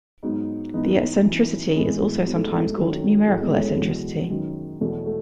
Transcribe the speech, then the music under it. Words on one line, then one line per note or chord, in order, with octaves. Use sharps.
The eccentricity is also sometimes called numerical eccentricity.
G#2 F#3 B3 D#4
G#2 E3 B3 D#4
F#2 E3
C#4
A2 E3 G#3 B3
G#2 F#3 B3
A3
G#3
A3
F#2 D#3 F#3
A2 F#3 G#3
G#3 B3
A3 C#4
G#3 B3
E2 B2 F#3
F#2 D#3 F#3
E2 B2 F#3 A3
A3